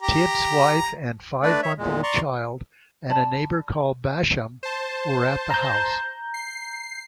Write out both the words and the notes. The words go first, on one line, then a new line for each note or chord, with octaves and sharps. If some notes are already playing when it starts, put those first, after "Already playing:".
Tibbs's wife and five-month-old child and a neighbour called Basham were at the house.
G4 A#5
A3 D4 B4 D5
C#5 E5
E2 A#2 G#3
D5 A#5 C6 C#6
D5 A5 B5
C5 A5
A#5 G6
C7